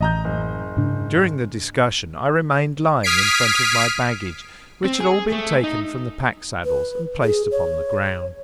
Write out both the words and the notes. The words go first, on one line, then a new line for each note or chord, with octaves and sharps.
During the discussion I remained lying in front of my baggage, which had all been taken from the pack-saddles and placed upon the ground.
A1 D#5 A#5 G6
F#1
G#2 C#3 D4
D#6 F6 G#6 B6 C7 D7
C4
G#4
A3
D#4
B4
G#4
C#5